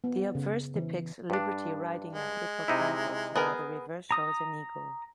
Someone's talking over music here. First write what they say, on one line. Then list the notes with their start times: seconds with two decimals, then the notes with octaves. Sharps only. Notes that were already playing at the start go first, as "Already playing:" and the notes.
The obverse depicts Liberty riding a Hippocampus, while the reverse shows an eagle.
0.04 B3
0.35 C#3
0.76 E3
1.30 G2 D4
2.13 G#3
2.68 C3 D#4 E4
3.36 B3 G#4 A#4
4.11 A#5 D#6